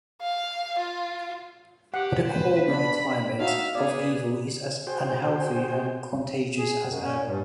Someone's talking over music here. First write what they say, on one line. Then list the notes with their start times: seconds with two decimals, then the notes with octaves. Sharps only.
But the Corman climate of evil is as unhealthy and contagious as ever.
0.21 F5
0.79 F4
1.94 G4 F#5
2.27 B4 C5
2.68 B3 D4 B5
3.40 D#4 F#4 E5 F5
3.75 B3 G#4 D5
4.87 F#4 G#4 C5 G5
6.58 G#4
6.86 F#2
7.04 C#4
7.25 G2